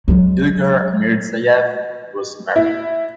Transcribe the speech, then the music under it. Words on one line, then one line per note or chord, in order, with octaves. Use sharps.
Ilgar Mirzayev was married.
F#3 G#3
E4